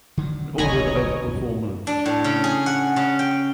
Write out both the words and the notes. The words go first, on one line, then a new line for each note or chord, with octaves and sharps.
In order of performance.
D3 D#3 F#3
D#1 B1 C#5 D#5 G#5 A#5 B5
D4
A2
C#3
G#4
F#5
C#3
G5